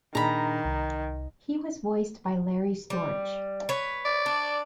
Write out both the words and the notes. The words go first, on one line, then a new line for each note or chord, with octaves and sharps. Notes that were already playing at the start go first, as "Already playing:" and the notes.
He was voiced by Larry Storch.
A#2 D#3 D4 G#4 A#5 B5
C2
G3
B4 C#5
D5
D4